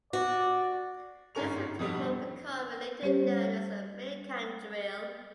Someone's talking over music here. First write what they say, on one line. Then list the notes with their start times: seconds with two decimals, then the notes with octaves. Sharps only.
This routine would become later known as the Mikan Drill.
0.13 F#4 D5
1.35 G1 G#2 C#4 A#4 C#6 F7
1.79 F2 B2 G3 D4
3.02 G3 C#4 G4 C5 C#5